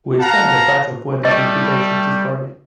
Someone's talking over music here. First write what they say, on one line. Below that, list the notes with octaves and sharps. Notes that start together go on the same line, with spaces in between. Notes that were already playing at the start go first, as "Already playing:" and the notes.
We sent a batch of wedding invitations this morning.
F5 F#5 A5 A#5
G3 A3 D#5